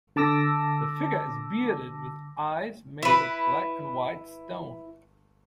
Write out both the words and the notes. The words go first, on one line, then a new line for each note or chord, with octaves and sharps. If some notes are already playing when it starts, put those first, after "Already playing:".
The figure is bearded with eyes made of black and white stone.
D3 A5 D6 E6 A#6
E4 B4